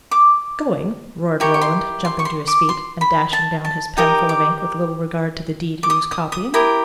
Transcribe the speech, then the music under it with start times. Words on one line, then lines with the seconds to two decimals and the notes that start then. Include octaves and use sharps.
"Going!" roared Roland, jumping to his feet, and dashing down his pen full of ink, with little regard to the deed he was copying.
0.11 D6
1.40 E4 G4 A#4 C#6
1.54 C#6
1.61 C6
2.05 C6
2.19 C#6
2.25 C6
2.47 D6
2.69 C6
3.01 B5
3.33 A5
3.65 A5
3.97 D#4 G4 A#4 D#6
4.29 D6
5.83 D6
5.90 D#6
6.11 D#6
6.32 D#6
6.54 E4 G4 A#4 D#6